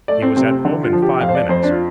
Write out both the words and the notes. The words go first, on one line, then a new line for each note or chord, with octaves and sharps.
He was at home in five minutes.
A3 D5
C4
C3 C4
C4
D3
F4
F3
G4
F2 F5
C5
D5
F2 C5
D4
F4